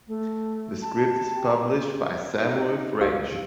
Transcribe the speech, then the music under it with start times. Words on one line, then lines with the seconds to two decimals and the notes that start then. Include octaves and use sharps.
The script is published by Samuel French.
0.08 A3
0.82 A5
1.32 G4
1.47 A#5
2.44 D#4
3.01 C#2 G4 F5 E6